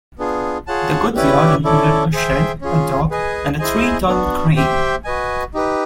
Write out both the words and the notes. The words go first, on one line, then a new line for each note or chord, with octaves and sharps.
The goods yard included a shed, a dock and a three-ton crane.
B3 D4 F4 G#4
F4 G#4 C#5 F#5 A5
C#4 E4 G4 B4 D5
C#4 E4 A4 D5
G#4 C5 E5 G5
C#4 F4 G#4
G#4 B4 D#5 G#5
E4 G#4 C5 D#5 G#5
B3 D4 F#4
G4 C5 E5 G5
F#4 B4 D#5 G#5
D#4 G4 B4